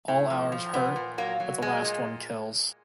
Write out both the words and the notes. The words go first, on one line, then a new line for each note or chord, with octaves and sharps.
All hours hurt, but the last one kills.
A2
F3
F3
A#2 B3
A#2
F#3 A#3
F#3
A#2 G#3
A#2